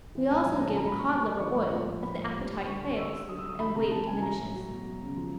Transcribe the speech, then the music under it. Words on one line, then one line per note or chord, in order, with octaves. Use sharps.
We also give cod-liver oil, if the appetite fails and weight diminishes.
E3
A2 G#5
F3 G#5
A#5
C#3 A5
F#3 A#5
B5
A#2
C#6
G3 D6
D3
F3 C#6
A2
F3
A#2
F3 B5
A2
G3
D3
G3 C#6
D3 C#6
G3 E6
D3 E6
F#3 D#6
E6
D3
D#6
E3 B5
C3 A#5
E3 A5
C#3 G#5
E3 A#5
A2
F#3
B2
F#3
C#3
F3